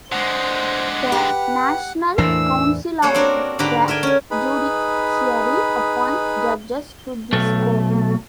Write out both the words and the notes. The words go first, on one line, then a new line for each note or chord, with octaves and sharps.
The National Council of the Judiciary appoints judges to this court.
D3 G#3 C5 F#5
G4 B4
E2 A2 E3 A3 D4 A#4 C5 E6
G3 A#3 A4 C#5 F#5
C4 D4 F#4 A#4
G#2 D3 G4 B4 D5 A#5
A#4 E5 G5 G#5
C#4 G#5
D#4 G#4 B4 B5
B1 A3